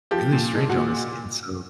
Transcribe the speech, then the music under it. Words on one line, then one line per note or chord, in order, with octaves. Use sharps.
really strange, honestly, and so
F3 G4
A#2
G#3
F#4
A#2